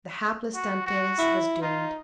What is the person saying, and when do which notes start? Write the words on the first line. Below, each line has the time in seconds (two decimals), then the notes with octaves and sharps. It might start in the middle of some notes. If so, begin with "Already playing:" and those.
The hapless Dantes was doomed.
0.55 F#4
0.86 F#4
1.19 E4
1.62 D#4 F4